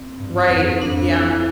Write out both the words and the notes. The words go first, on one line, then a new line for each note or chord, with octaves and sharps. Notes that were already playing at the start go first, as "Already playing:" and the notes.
Right. Yeah.
Already playing: C4
G2
F2
F2 D4
E4